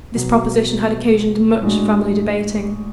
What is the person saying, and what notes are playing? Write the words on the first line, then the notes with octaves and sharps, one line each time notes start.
This proposition had occasioned much family debating.
B2 F#3 B3
A2 G#3 D4 F#4